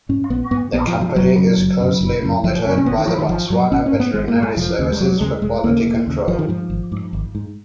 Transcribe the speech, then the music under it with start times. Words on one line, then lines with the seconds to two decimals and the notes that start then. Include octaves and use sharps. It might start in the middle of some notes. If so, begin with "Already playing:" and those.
The company is closely monitored by the Botswana Veterinary Services for quality control.
0.09 G#2 C#4
0.30 A#1 B3
0.51 G#2 B3
0.73 A#1 B3
0.87 F3
0.95 G#2
1.01 F3
1.15 F#1 F#3
1.37 F#2 C#3
1.58 F#1
1.80 F#2 C#3
2.01 F#1
2.23 F#2 C#3
2.44 F#1 F3
2.65 F#2 C#3
2.78 C#4
2.86 G#1 B3
2.97 D#3
3.07 G#2 F3
3.19 D#3
3.28 G#1 F3
3.50 G#2 F#3
3.71 G#1 C#4
3.86 C#4
3.93 G#2
4.00 B3
4.14 G#1 G#3
4.28 A#3
4.36 G#2
4.43 G#3
4.57 F1 F3
4.79 D#2 C#3
4.92 G#3
5.00 F1 F#3
5.21 D#2 C#3 G#3
5.42 F1 G#3
5.63 D#2 C#3 A#3
5.85 F1
6.06 D#2 C#3
6.28 G#1 F3
6.39 D#3
6.48 G#2 F3
6.70 G#1
6.92 G#2
7.13 G#1
7.35 G#2